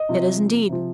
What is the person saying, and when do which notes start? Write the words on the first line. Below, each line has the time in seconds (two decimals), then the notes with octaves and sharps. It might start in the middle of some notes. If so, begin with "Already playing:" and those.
"It is indeed."
Already playing: D#5
0.09 C3 F3
0.69 C3 F3